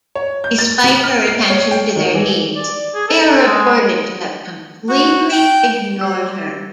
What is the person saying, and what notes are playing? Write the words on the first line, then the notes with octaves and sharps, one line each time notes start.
Despite her attention to their needs they are reported to have completely ignored her.
C#5
G6
A6
C3
F6
C7
C#5
G5
D#3
E3
D5
G#4
A4
G#3
F#4
G5
G3 C5 E6